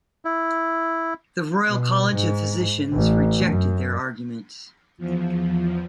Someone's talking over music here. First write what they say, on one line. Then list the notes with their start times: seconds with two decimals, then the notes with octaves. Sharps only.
The Royal College of Physicians rejected their argument.
0.25 E4
1.68 B2
2.13 G#2
2.94 A1
3.46 F#2
4.97 E2 F3